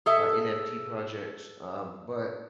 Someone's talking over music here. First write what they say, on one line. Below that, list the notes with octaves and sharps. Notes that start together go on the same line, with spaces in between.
uh, NFT projects, um, but
G#4 A4 E5